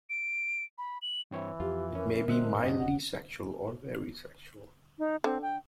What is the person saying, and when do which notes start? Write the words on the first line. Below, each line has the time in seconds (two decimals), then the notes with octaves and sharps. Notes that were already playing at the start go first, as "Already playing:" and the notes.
It may be mildly sexual, or very sexual.
0.10 D7
0.78 B5
1.02 F#7
1.31 G2 E3 C4 C#5
1.60 F2 F4 G4
1.95 C#4 A#4
2.28 A#2 D3 G3 C4 D#5 E5 F#6
2.59 F#2 A#2 C4 D4 F#4 D#5
2.79 E1 F#5
4.99 D#4
5.24 D3 C4
5.42 G5